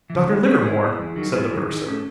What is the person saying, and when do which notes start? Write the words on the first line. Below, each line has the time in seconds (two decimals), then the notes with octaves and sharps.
"Dr. Livermore?" said the bursar.
0.10 C#3 E3
0.27 D#3
0.45 G#3 B3 G#4 B4
0.63 D#3 E4 G#4
0.81 G#3 B3
0.98 E2
1.16 D#3 F#3
1.33 E2 E4 G#4
1.51 D#3 F#3
1.69 D#3
1.87 A3 C#4